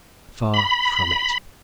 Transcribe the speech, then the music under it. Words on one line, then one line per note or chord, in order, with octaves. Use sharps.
Far from it.
B5